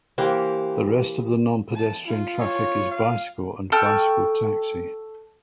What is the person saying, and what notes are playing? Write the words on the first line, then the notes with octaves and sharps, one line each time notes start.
The rest of the non-pedestrian traffic is bicycle and bicycle taxi.
E3 A#3 G4 C5
A5
F4
C#5
F5
A4 G5 C#6 F6